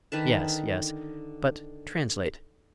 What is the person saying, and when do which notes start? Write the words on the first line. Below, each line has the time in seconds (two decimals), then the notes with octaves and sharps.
"Yes, yes--but translate."
0.12 D3 D#3 B4 A5